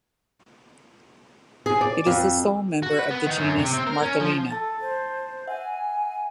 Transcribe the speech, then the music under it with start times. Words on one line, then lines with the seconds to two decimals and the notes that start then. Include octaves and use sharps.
It is the sole member of the genus "Marchalina".
1.66 G#4
1.81 D5
2.07 F2
2.83 F#4
2.99 B4
3.11 B3
3.26 D#3
3.38 F#2
3.59 C3
3.74 C4
3.87 A#4
4.03 C#4
4.21 F3
4.50 A4 A5 A6
4.81 C5
5.47 E5 F#5 G#5